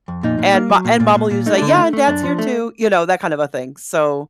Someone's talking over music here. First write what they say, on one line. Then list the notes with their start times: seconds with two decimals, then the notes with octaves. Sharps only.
and Mo and Mom will usually say, "Yeah, and Dad's here too," you know, that kind of a thing, so,
0.08 F2
0.23 A#2 D#4
0.39 A#2
0.54 A#3
0.70 F#3
0.85 A#2
1.00 A#2
1.15 A#2
1.31 A#2
1.46 A3 D#4
1.57 D3 D4
1.69 D#4
1.77 A3
1.93 A3
2.07 F#2 D4
2.23 F3
2.39 A3